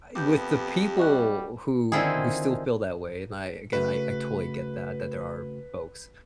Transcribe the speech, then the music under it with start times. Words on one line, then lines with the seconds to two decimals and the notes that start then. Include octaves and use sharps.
I with the people who who still feel that way and I, again, I totally get that that there are folks.
0.15 F2 B3 G4 D6 G6
0.97 G3 D#5 C#6 F#6
1.92 D3 D#3 C4 E4 F4 G#4
3.73 C#3 A3 F#4 B4